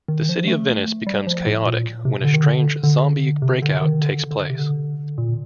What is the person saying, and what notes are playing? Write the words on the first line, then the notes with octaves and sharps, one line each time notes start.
The city of Venice becomes chaotic when a strange zombie breakout takes place.
D#3
F3
A3
G3
F3
A2
A#2
C3
D3
D#3
D3
D3
C3
D3
D#3
D3
D3
C3
D3
A#2